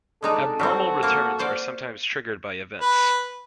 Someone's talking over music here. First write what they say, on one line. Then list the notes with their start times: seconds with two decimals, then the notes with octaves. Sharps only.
Abnormal returns are sometimes triggered by events.
0.22 G#3 D4 D#4 A4 A#5
0.59 F#3 G3 C4 F#4
1.03 A#3 F4
1.39 C5 D5 F5
2.81 B4